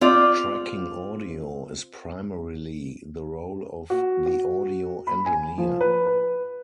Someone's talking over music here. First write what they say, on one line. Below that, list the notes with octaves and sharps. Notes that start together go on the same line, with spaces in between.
Tracking audio is primarily the role of the audio engineer.
C4 F4 D5
F#4
F#4
B5
G#5
F3
B4
B4